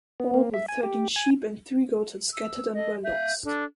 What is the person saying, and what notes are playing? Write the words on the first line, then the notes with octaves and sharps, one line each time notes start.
All but thirteen sheep and three goats had scattered and were lost.
B3
A#3
E5
G#5
G4
G#5
E6
A4 D#5
E5 F5 G6
D4 A4